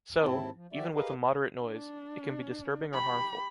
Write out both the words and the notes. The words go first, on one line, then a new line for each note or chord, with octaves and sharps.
So, even with a moderate noise, it can be disturbing or harmful.
D#2 G#2 C4 E4 A5
F3
F3 F#4 G4 D5 E5
G4 G#4 A#4 B4 D#5 F5
D4
G4 B5